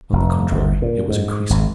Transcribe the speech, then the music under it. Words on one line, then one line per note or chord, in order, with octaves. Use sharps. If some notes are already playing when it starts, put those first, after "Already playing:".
On the contrary, it was increasing.
F1
G1
A#2
G#2
G#1